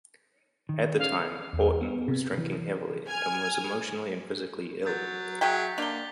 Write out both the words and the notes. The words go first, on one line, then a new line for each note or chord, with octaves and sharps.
At the time, Horton was drinking heavily and was emotionally and physically ill.
D#3
C#4 F5
E2
B3
C3
E3
G#5 F6 G#6
F#3 G6 A6
F#3 G#4 E5 G5 B6
D3 A#3 D4 F7 G7